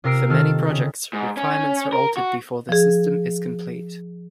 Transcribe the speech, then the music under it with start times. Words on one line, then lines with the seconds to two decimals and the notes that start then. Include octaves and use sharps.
For many projects, requirements are altered before the system is complete.
0.04 C3 F4 A#4 E6 C7 D7
0.30 D#3 A4 F6
0.70 C#3
1.13 G#2
1.37 C#4
1.93 A#4
2.17 F#4
2.69 F3 G#4